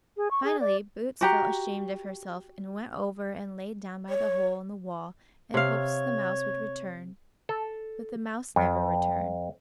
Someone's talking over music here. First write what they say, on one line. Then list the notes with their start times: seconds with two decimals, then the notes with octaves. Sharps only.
Finally Boots felt ashamed of herself and went over and lay down by the hole in the wall in hopes the mouse would return, but the mouse never returned.
0.17 G#4
0.31 C#6
0.44 G#4
0.60 D5
1.21 F#4 G4 A#5
4.09 C#5
5.54 C3 C#5 F5
7.49 A4
8.56 F2